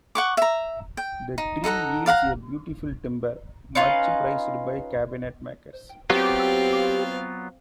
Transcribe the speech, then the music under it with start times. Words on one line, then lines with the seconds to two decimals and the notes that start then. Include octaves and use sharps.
The tree yields a beautiful timber much prized by cabinet-makers.
0.15 F#5 C#6 D6
0.37 E5 A#5
0.97 G5
1.38 D#4
1.64 D#4 A4 F#5 A#5
2.06 D5 F5 F#5 A#5
3.75 C#4 D#4 F4 B4
6.10 F#3 B3 C4 F4 G4 F5